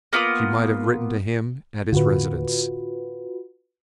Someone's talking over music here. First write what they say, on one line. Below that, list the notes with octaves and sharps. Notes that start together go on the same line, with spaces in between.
She might have written to him at his residence.
A#3 B3 F4 D#6
A2 D3 F4 F#4 B4